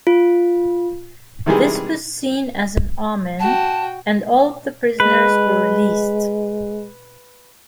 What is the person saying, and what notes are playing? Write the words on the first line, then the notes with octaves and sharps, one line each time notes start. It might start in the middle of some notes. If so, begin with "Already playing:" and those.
This was seen as an omen and all the prisoners were released.
F4
C3 D#3 E3 G3 G#3 G#4
F#4 G5 A5
G#3 B4